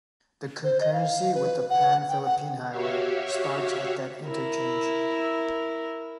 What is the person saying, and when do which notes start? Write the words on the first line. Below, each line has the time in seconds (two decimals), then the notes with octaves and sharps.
The concurrency with the Pan-Philippine Highway starts at that interchange.
0.64 C5
0.81 D#5
0.93 F5
1.35 B4
1.70 F#5
2.09 G5
2.25 F#5
2.69 F#4 G4 C#5 E5 F5
4.27 E4 A#4